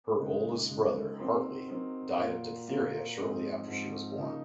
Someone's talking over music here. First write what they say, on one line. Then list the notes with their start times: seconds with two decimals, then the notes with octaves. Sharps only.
Her oldest brother, Hartley, died of diphtheria shortly after she was born.
0.19 C#3 G#3 D#4
0.69 C#3 G#3 D#4
1.18 F#3 C4 D#4 A#4
1.68 F#3 C4 D#4 A#4
2.18 A#2 F#3 A#3 F4
2.68 A#2 F#3 A#3 F4
3.18 G#2 F3 C4 D#4
3.67 G#2 F3 C4 D#4
4.17 C#3 F3 A#3 D#4